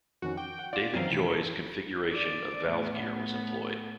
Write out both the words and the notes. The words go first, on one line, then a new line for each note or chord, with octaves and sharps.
David Joy's configuration of valve gear was employed.
F2 D#3 C#4 F#4
G5 D6
F#5
F4 D5
F#2 D#3 E3 F#3 C4 F4 A#4 F5
F2 A2 C3 E3 B6
D5
A2 B3